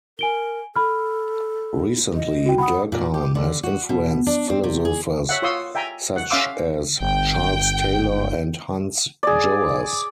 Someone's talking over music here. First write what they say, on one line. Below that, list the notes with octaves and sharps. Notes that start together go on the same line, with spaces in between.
Recently, Durkheim has influenced philosophers such as Charles Taylor and Hans Joas.
A#4 G#5 D7 G7
A4 B5 F6
D#5
F#4 G5
F#5 B5 D#6
A#2
G4
D3
F#4
B2
D4
C4
C3
G#4
C#5 E5 F#5
F4 C#5 C6 D#6 E6
E5 G5 G#5 A#5
F#5
C#4 E5 F5 C6 D6 E6
G1 G5
G#4 D5